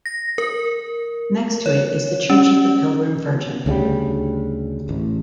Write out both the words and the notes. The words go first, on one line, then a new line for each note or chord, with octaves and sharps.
Next to it is the church of the Pilgrim Virgin.
A#6
A#4
C#5
C#4
D2 C#3 E3 G3
A1